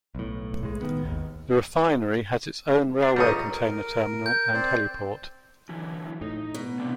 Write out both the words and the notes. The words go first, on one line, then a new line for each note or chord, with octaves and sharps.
The refinery has its own railway container terminal and heliport.
B1 A2
B1 A2 G#3
D#3 B3
G#1 D#2
D4
G1 C#2 G3 A#5 C#6 D#6
A#4
G6
C4 C5 D5
D3 E3 F#3
A2 D#4
B2
C3 C4 D4